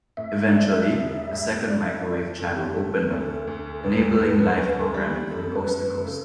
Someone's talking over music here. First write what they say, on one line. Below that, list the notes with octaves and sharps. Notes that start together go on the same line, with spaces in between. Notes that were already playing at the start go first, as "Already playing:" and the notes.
Eventually, a second microwave channel opened up, enabling live programming from coast to coast.
A2 E5
D4
E1
G3
C#3 D5
E5
E4 D5
F#1 A4
G4
A3 A4
B4
D2 A4
D2 A4
E1 B4
A4
A3 B4
B4
D2 B4
A4
G3
F#2 A4
B4
F#2
B4
C#3 A4